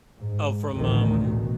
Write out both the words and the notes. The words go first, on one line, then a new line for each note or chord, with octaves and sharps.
Oh, from, um
G#2
A1 D2 D#3
B2